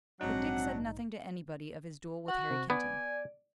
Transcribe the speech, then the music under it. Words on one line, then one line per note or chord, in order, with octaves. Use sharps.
But Dick said nothing to anybody of his duel with Harry Kenton.
A#1 G#2 F#3 C4 D4 D#4 F#5
F#4 F#5
C3
B3 D5 G#5